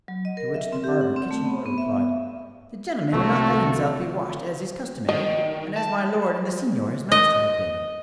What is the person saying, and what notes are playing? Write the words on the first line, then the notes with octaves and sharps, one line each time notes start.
To which the barber kitchen-boy replied, "The gentleman will not let himself be washed as is customary, and as my lord and the senor his master have been."
F#3
D#5
A#4
E5
C4
G4
F#5
C4
A3
B3
B3
E5
C2 A3 C4 F#4 A4 C#6
D#3 D#5
A5
D#5